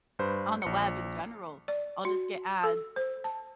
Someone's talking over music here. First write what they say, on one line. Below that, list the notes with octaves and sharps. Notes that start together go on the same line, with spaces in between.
on the web, in general. I'll just get ads.
G2 B4 C5
A#1 C#7
D5
F#4
A4
C5
A5